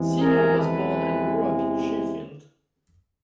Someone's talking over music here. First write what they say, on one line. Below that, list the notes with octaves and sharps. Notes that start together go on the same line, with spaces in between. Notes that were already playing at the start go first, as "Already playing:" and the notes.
Senior was born and grew up in Sheffield.
Already playing: E2 C3 E3 G#3
G#4 A#4
A4 B4